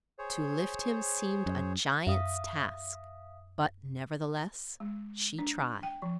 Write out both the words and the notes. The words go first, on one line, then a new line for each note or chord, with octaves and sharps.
To lift him seemed a giant's task; but nevertheless she tried.
G#4 C5 C#5
F#2
F#2 E5 F5 D#6
G#3
D4
G5
F3